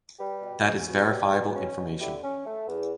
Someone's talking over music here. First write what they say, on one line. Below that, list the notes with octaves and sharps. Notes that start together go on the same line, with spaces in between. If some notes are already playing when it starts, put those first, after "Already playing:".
That is verifiable information.
G3 G4 B4
B2
C#4
B2
G3
B2
C#4
B2
D3 E4 G4
C#4
A3
E2